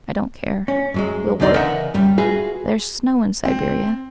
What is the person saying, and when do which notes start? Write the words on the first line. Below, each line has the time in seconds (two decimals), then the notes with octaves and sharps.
I don't care ... we'll work ... there's snow in Siberia....
0.68 C#4
0.94 F#2 F#3 G#3
1.40 B1 E2 D3 D#4 D5 C6
1.55 C#3 E3 A#4 D#5 E5 F#5
1.94 F#2 G3
2.18 F4 F#4 G#4 B4 E5
3.45 C4